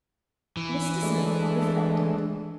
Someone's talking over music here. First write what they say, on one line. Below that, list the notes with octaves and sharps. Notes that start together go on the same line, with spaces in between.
Mr Smith reflected.
E3
G#3 A3 D4